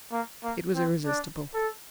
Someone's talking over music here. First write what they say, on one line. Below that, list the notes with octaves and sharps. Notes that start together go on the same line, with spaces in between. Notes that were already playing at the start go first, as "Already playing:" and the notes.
'It was irresistible.
A#3
A#3
C4
D4
A4